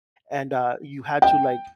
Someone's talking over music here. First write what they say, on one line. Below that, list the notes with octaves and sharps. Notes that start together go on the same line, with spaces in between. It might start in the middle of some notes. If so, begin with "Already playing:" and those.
and, uh, you had to, like,
G5